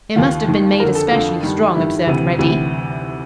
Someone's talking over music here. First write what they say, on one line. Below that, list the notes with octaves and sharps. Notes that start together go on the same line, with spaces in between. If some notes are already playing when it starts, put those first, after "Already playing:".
"It must have been made especially strong," observed Reddy.
D#2 D#3 F4
D#2 D#3
F2 D3 A#4
A4
F2 D3 F4
G2 D#3
G2 D#3 E4
D2 C3 E3
D2 C3 E3